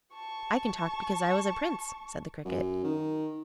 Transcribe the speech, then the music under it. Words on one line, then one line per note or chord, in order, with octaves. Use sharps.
'I can talk because I was a Prince,' said the Cricket.
A5 C#6
F#2
D#3